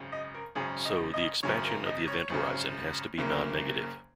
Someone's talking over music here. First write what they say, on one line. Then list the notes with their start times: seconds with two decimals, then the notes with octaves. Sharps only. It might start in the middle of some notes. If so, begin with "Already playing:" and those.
So, the expansion of the event horizon has to be nonnegative.
Already playing: G#1 F#2 C#3
0.12 D#5
0.34 A#4
0.55 G#1 F#2 C#3 G#4
0.85 D#5
1.14 D#5
1.43 G#1 F#2 C#3 C#5
1.64 A#4
1.86 D#5
2.08 C#5
2.30 G#1 F#2 C#3
3.18 F#1 F#2 C#3 A#3